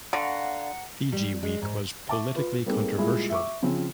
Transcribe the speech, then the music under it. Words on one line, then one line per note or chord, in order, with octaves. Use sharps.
Fiji Week was politically controversial.
D3 F5 F#5 A#5 C#6
G3
G#3
G#2
E5 A5 C#6 D6
F4 B4
G3 A#3 C4 D#4 G#4 A4
A#2 G3 G#3 E4 G#4
E5 C#6 D6
C#3 F3 C4